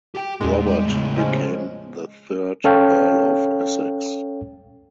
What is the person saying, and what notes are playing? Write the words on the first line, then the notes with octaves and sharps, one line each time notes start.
Robert became the third Earl of Essex.
G4 G5
E2 A#2 G#3
G3
A2 C#3
F3 G#3 C#4
C#4 A4 C#5 F5 G5